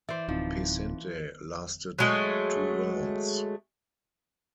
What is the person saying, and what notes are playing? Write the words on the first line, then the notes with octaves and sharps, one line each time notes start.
Pesente lasted two rounds.
E3 C5 D5 E5
D1 F3 C4 D#4
F#3 G#3 A3